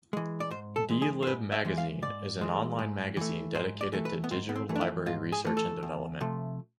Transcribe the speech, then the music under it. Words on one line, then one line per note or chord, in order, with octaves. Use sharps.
D-Lib Magazine is an on-line magazine dedicated to digital library research and development.
E3 G#3
D5
G#2 C5
A4
E3 G#3
G#4
C5
G#2 B4
E5
E3 G#3
F5
G#2 D5
E3 G#3
G#2
E3 A3
G#2 C5
D5
E3 A3
B4
B3
G#2 C4
B3
C4
E3 A3
D4
E4
G#2 F4
G#4
E3 A3
A4
E2
C3 F3 A3